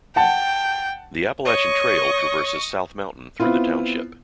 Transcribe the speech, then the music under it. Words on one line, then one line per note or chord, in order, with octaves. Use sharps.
The Appalachian Trail traverses South Mountain through the township.
F#5 G5 A5
C#5 D#5 C#6
B3 C4 E4 F4